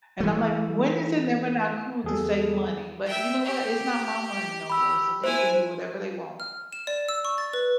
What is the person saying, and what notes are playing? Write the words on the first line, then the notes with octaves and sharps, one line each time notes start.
And I'm like "When is it never not cool to save money?" but you know what, it's not my money no more so they can do whatever they want.
E3 A3
E2 G#4 A4
E5 G5
G4
B5 E6
E4 C5 G#5
F6
E7
D5
E6
C#6
A6
B4